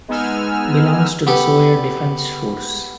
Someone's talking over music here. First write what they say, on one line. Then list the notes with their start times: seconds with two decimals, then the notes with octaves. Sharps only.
Belongs to the Soya Defense Force.
0.08 G#3 B3 D#4 G#5 E6 F6
1.27 B3 G4 A4 B4